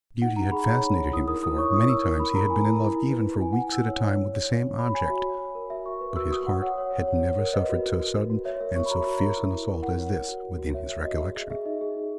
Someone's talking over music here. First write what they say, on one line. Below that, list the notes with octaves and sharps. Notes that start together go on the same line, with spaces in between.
Beauty had fascinated him before; many times he had been in love even for weeks at a time with the same object but his heart had never suffered so sudden and so fierce an assault as this, within his recollection.
D#4 F#5
D#4 A#5
G#4 B5
C#5
D#4
D#4
E4 D#6
A#4 D#6
E4 D#6
C#5 C#6
E4 D#6
E4 E6
A#4
E4 B5
A#4 A#5
E4 G#5
E4
E4
E4
B4
E4
E4 G#5
F#5
E4 G#5
E4 E6
C#5
C#5
C#5
C#5
C#5
C#5
F#4 B5
C#5 G#5
F#4 E5
F#4
F#4
A#4
F#4 E5
F#4 C#6
B4
F#4 E6
F#4 D#6
F#4 F#5
C#5 F#5
C#5
C#5
C#5
C#5
A#4
B4 D#5
F#4
F#4
F#4
F#4
F#4
C#5 E5
A#4 E5
C#5 C#6
B5
F#4 A#5
F#4
A#4
E4
E4
E4
A#4 F#5
C#5
A#4
F#4
F#4
F#4
C#5 E5
C#5 E5
F#4 D#5
G#4 E5
G#4 D#5
G#4 E5
D#4 D#5
G#4
D#4